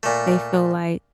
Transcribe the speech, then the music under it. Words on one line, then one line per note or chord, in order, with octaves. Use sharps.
they feel like
A#2 A3